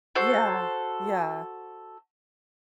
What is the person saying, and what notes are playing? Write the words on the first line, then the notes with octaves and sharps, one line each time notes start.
Yeah, yeah.
F#4 A4 C5